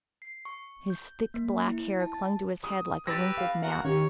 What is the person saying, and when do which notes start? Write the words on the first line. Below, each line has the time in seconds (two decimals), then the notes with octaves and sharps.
His thick, black hair clung to his head like a wrinkled mat.
0.22 C7
0.45 C#6
0.90 G6
1.34 A#3
1.68 E4
2.00 A5
2.14 A6
2.64 D#6
3.07 G4 B4 E6 A6 A#6
3.38 F5
3.63 F#4 A#4 F#5
3.84 D#3 G4 C#5